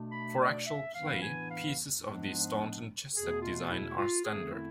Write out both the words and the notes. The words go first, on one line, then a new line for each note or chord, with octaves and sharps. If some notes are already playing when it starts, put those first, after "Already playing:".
For actual play, pieces of the Staunton chess set design are standard.
Already playing: B2 A3 D4
B5
D5
E5
A2 E3 B3 D4 F5
G#5
F5
G#2 F3 G#3 B3 D4
E2 B2 A3 G#4
F4
E4
F4
E2 D3 A3 C4 G#4
E4